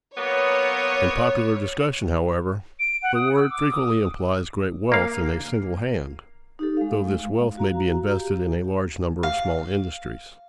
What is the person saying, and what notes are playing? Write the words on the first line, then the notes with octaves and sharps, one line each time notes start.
In popular discussion, however, the word frequently implies great wealth in a single hand, though this wealth may be invested in a large number of small industries.
F#3 A#3 B3 C#5
D7
F#5
D#6
E6
D6
D#6
A#3 F5
D#4 G4 A4
G#3 F5
F#4 F5 A#5
G4
F5